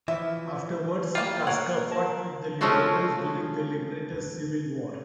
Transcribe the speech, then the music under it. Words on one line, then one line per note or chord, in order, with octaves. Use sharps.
Afterwards, Casca fought with the liberators during the Liberators' civil war.
E3 F3 E5
G3 A#3 F4
A#3 A#4 C#5 F#5
A#4 A5
F3 G#3 A3 C#4 F4 F#4